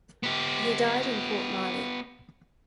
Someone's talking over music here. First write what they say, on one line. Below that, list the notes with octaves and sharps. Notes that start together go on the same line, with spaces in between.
He died in Port-Marly.
B3 G4